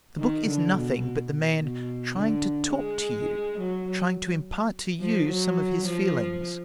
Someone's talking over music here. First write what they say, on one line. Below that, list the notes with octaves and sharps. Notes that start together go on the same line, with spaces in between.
The book is nothing but the man trying to talk to you, trying to impart to you some of his feelings.
D#3
D3
B2
B2
D3
G#3
F#3
F3
F#3
F3